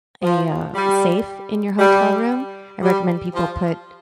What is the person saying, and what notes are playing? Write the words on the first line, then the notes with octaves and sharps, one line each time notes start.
a, uh, safe in your hotel room, I recommend people put
F3
G3
G3
G3
F3